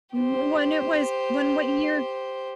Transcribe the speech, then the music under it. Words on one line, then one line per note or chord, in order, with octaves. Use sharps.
When it was when what year?
G4 C5